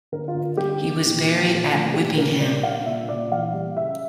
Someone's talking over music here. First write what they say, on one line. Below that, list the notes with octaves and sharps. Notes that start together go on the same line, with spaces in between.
He was buried at Whippingham.
D3 A#4
F4
D3
G3 G4
D4
A#2
A#2
F3
A3
A#2 G4
A#2 A#4
G3 D5
D4 F5
A#2 E5
A#2 D5
E3 F5
G3
C#3 E5